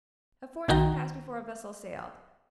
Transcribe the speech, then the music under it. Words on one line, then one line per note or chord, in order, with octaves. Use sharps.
A fortnight passed before a vessel sailed.
B1 D#3 D#4 F#4 G5 A#5